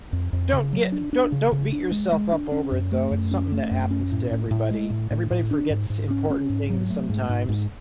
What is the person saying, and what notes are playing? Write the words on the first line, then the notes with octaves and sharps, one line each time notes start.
don't get don't don't beat yourself up over it, though. It's something that happens to everybody; everybody forgets important things sometimes,
F2
F2
C#3
F#3
D4
D4
C#3
C#3
D4
G#3
G#3
D4
C#4
F#2
A3
F#2
C#4
A3
F#2
C#4
A2
A2
A2
G#3
A2
A2
A2
D4
G#2
G#2
C#4
C#4
G#2
F#3
A3
G#2
G#2
G#2